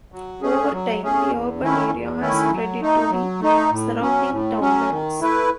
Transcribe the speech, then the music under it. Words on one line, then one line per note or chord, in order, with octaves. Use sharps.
Over time, the urban area has spread into the surrounding townlands.
F#3
A3 C#4 G#4
F#3
A3 C#4 G#4
E2
D#3 A3 C#4 E4
E2
D#3 A3 C#4 E4
F#3
A3 D#4
F#3
A3 D#4
A2
F#3 C#4
A2
F#3 C#4
D#3
A3 E4 B4